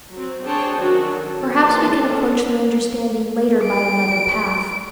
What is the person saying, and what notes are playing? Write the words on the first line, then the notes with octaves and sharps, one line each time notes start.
Perhaps we can approach their understanding later by another path.
F#3 C4
D4 G#4 C5 C#5 G5 A5
D#3 F#3 C#4 D4 F#4
A4
E3 G#3 A#3 C#4 A5 C6
C#4 D4 A4
D7